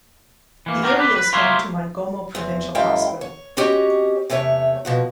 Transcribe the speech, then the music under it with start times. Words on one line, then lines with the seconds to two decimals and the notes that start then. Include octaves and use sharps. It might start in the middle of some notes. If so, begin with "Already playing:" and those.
The area is home to Mongomo Provincial Hospital.
0.66 E3 A#3
0.83 B3 F#4 G4 A#4
0.99 G4 B4
1.16 B4
1.33 F4 G4 A#4 C5 C#5 E5
2.35 E2 C4
2.75 F#2 G#3 E4 F5 G5
3.21 C#5
3.57 C4 C#4 F#4 G4 C#5 D#5
4.30 E2 C3 A3 A#4 C#5
4.85 B2 F3 F#4